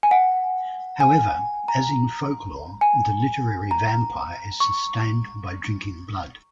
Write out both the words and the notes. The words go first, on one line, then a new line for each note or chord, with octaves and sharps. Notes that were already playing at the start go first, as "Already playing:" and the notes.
However, as in folklore, the literary vampire is sustained by drinking blood.
G#5
F#5
G#5
A#5
G#5
A#5
C#6